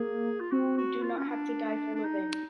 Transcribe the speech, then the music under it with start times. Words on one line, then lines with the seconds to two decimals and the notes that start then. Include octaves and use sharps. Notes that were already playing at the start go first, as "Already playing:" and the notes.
We do not have to die for living.
Already playing: A#3 G#4
0.40 F4
0.52 C4 F#4
0.77 F#4
1.02 F4
1.17 C#4
1.28 D4
1.95 D4
2.04 D#4